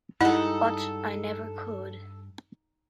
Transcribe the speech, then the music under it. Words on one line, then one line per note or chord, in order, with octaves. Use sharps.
But I never could!
G2 G3 G#3 D#4 E4 A4 F#5